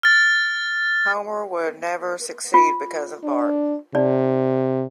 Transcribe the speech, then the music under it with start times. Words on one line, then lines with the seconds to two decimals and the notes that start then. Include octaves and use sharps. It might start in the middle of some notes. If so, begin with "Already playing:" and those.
Homer would never succeed because of Bart.
0.03 F6 A6
2.54 F4
3.24 D4
3.95 C3 D#4 D5